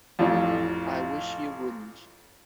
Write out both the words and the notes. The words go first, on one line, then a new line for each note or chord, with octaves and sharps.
I wish you wouldn't.
A1 F2